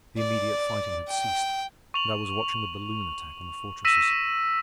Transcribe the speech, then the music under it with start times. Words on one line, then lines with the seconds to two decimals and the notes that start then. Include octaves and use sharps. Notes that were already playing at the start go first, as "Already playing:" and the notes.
The immediate fighting had ceased, and I was watching the balloon attack on the fortresses.
0.18 D5
1.08 G5
1.94 C#6 F7 F#7
3.85 E6 A#6 B6 D#7 E7